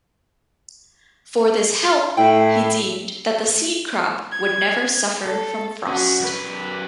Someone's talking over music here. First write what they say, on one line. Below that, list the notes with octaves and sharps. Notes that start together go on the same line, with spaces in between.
For this help he deemed that the seed crop would never suffer from frost.
A2 E4 G5
G#6
A4
C#4 F#4
F#2 B4